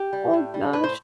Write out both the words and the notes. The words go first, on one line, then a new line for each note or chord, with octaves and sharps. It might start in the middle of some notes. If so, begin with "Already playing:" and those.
Oh gosh.
Already playing: G4
G3
A2
G3
A2 B4
C5